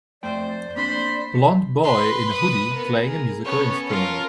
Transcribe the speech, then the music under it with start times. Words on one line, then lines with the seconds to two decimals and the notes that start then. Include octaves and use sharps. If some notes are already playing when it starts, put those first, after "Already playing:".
Blond boy in a hoodie playing a musical instrument.
0.23 F2 A3 C5 D5 G5
0.76 A#3 C4 D4 C5 B5 C6
1.84 B4 B5 C6
2.32 D#6
2.73 B3 A#4
3.03 G#4 A#4
3.45 B3 C#4 A4 C#5
3.89 F4 A#4